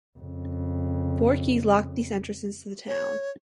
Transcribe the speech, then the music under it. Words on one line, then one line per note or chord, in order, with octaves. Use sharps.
Four keys locked these entrances to the town.
F2 C#3
C#5